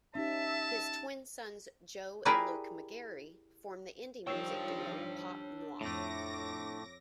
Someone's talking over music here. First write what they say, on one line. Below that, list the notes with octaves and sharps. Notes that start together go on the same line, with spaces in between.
His twin sons, Joe and Luke McGarry, form the indie music duo Pop Noir.
C#4 D#4 G4 E5 A5
E4 G4 G#4 A#4 B4 D5
D#3 F3 G3 D4 C#5 G5 E6
F2 A2 A3 D6 A#6